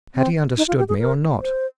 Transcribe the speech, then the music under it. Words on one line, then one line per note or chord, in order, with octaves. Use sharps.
Had he understood me or not?
C4
D#4
F4
G4
G#4
A#4
C5